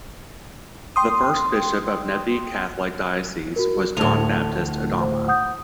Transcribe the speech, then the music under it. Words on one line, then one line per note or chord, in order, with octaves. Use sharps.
The first bishop of Nebbi Catholic diocese was John Baptist Odama.
G5 C6 D#6
F#4 A#4
D2 A2 A5 F7
C5
F#5 D#6 G6